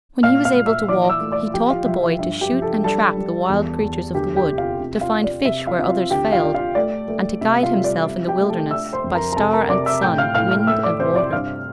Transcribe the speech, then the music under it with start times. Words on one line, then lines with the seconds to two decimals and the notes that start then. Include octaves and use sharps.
When he was able to walk, he taught the boy to shoot and trap the wild creatures of the wood, to find fish where others failed, and to guide himself in the wilderness by star and sun, wind and water.
0.23 A#2 F5 F6
0.45 F5 F6
0.56 A#2
0.66 E5 E6
0.88 E3 D5 D6
1.10 E5 E6
1.21 A3
1.32 D5 D6
1.54 F3 G4 G5
1.70 F4 F5
1.86 F3 E5
2.03 E5
2.19 G2 E5
2.41 G4 G5
2.51 F3
2.62 A4 A5
2.84 G3 A4 A5
3.17 G3
3.49 E2
3.82 E2
4.14 D2 G4 G5
4.36 G4 G5
4.48 C3
4.58 F4 F5
4.80 C3
5.01 F4 F5
5.12 C3
5.24 D5
5.45 C3 E5
5.67 F4 F5
5.78 C4
5.88 F4 F5
6.10 D2 G4 G5
6.32 F4 F5
6.43 D4
6.55 F4 F5
6.75 A3 D5
7.08 A3
7.41 C3 E5
7.63 F4 F5
7.74 G3
7.84 D5
8.06 C4 E5
8.27 G4 G5
8.38 A3
8.50 A4 A5
8.71 D4 E5 E6
8.93 C5 C6
9.04 F2
9.15 A#4 A#5
9.33 A#5
9.37 C3 A4 A5
9.53 A#4 A#5
9.69 C3 D5 D6
9.86 E5 E6
10.02 A2 G5 G6
10.18 F5 F6
10.35 A2 F5 F6
10.51 F5 F6
10.67 A3 E5 E6
10.83 D5 D6
11.00 C3 C5 C6
11.16 D5 D6
11.32 G2 F5 F6